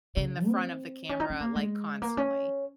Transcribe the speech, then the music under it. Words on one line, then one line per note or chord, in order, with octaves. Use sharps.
in the front of the camera, like, constantly,
C#3
C4
C#4
D#4
C#4
A#3
G#3
A#3
C#4